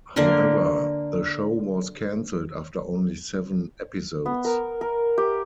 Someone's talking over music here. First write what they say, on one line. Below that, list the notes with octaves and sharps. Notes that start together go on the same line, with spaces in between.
However, the show was canceled after only seven episodes.
D3 A#3 A#4 C6
B3
A#4
A#4
G4